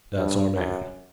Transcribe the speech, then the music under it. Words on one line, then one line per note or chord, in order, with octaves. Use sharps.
That's our man.'
G2
F#2